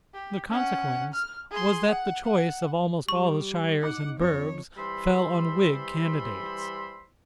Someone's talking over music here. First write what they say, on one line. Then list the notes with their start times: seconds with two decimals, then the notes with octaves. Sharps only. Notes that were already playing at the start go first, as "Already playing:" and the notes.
The consequence was that the choice of almost all the shires and burghs fell on Whig candidates.
0.14 G4
0.49 C#4 F#5
1.14 F6
1.51 G#4 C6
1.88 F#5
2.24 F#5
3.09 G3 C#6
3.83 D#4 F#5 D6
4.20 F2 C#5
4.77 E3 G3 C5 B5 C6 E6